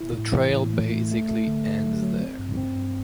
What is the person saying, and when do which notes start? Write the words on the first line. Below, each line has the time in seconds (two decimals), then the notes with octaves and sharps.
The trail basically ends there.
0.01 E4
0.18 A2
0.37 E3
0.55 A2
0.74 A3
0.92 A3
1.11 A3
1.29 A3
1.47 D3
1.65 A3
1.84 F#3
2.03 F#3
2.21 C4
2.39 G2
2.57 C4
2.76 G2